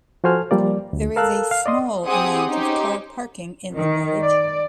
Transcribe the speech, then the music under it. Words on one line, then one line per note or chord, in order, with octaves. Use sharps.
There is a small amount of car parking in the village.
F3 F#4 A4 C5 G#5 F6
F3 G3 A#3 D5
D2
A4 A#4 F5 A5 E6 F#6
F5
D5 D#5 C6 D#6
C4 G4 G#4 F#5 D#6
C#4 D#4 G4 C5
D#3
D5